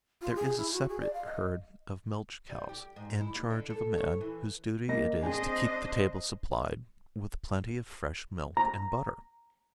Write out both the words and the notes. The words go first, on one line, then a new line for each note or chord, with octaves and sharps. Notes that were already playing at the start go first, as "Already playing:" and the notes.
There is a separate herd of milch cows in charge of a man whose duty it is to keep the table supplied with plenty of fresh milk and butter.
F4
G#4
E4
F#4
G#4
D5
F5
D#5
G3
G4
G#2
E4
D#2
D3
A4
C#5
E3
A#3 D#5 A#6
C4 D4 G#4 C5 D#5 G#5
A#5